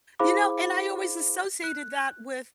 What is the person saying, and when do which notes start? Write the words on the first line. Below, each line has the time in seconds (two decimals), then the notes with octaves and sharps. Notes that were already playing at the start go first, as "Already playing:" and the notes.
You know, and I always associated that with
0.19 E4 G#4 C5 F5 B5 D6
1.64 F#6